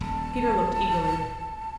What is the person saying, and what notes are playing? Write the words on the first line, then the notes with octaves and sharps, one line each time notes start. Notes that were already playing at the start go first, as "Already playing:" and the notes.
Peter looked eagerly.
D#1 A5